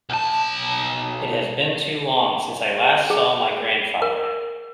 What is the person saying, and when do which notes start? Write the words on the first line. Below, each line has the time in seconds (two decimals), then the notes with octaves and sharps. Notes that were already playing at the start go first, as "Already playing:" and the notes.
It has been too long since I last saw my grandfather.
0.10 B1 A5
3.10 G#4
4.02 A#4